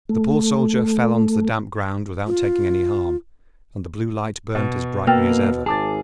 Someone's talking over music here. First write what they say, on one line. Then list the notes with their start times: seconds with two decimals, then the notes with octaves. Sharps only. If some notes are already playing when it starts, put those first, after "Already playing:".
The poor Soldier fell on to the damp ground without taking any harm, and the Blue Light burnt as brightly as ever.
0.09 A3
2.27 F4
4.55 B2
5.07 B2 A#3 G5 E6 F6 A6
5.66 G#1 G#4 A5 D6 A6